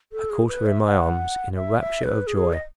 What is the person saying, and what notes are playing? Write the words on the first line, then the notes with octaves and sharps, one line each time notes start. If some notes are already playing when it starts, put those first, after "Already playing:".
I caught her in my arms in a rapture of joy.
A4
G#4
B4
E5
F#5
E5
E5
B4
G#4
D#5